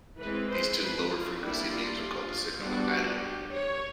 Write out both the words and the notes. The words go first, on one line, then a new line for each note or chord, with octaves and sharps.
These two lower-frequency beams are called the "signal" and "idler".
E3 G#3 C4 B4
C5
B4
F4
G3 A#3 D4 E4
F4
G3 B3 D4 F#4
G4
C#5